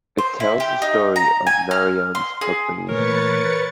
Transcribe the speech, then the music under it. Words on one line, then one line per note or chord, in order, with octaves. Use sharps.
It tells the story of Narayan's upbringing.
C5
E4
G4
D#4
A#5
G#5
F6
C6
G#4
A#2 E3 A3 A#4 B4 C#5 A6 C#7